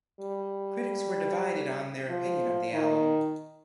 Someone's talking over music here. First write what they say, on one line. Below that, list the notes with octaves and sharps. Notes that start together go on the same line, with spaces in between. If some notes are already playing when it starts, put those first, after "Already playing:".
Critics were divided on their opinion of the album.
G3
F3
D#3